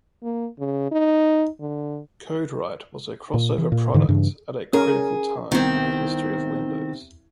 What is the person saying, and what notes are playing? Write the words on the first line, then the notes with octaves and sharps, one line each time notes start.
CodeWright was a crossover product at a critical time in the history of Windows.
A#3
C#3
D#4
D3
A#2
E3
A#2
G#2 D3 E3
G2 C#3 E3
C#4 G#4 A#4
C2 D#3 B3 C4 G#6